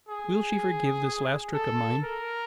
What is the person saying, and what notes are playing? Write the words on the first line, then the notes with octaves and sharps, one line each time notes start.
Will she forgive this last trick of mine?
G#4
A4
A#4